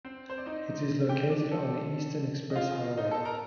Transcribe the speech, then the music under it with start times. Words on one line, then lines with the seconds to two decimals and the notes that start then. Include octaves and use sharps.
It is located on the Eastern Express Highway.
0.05 C4 C5
0.30 C5
0.38 D5
0.46 D#4 D#5
1.09 G4 G5
1.30 D4 D5
1.52 A4
2.50 D#5
2.55 F4 F5
2.98 D#4 D#5
3.11 A4 A5
3.25 A#4 A#5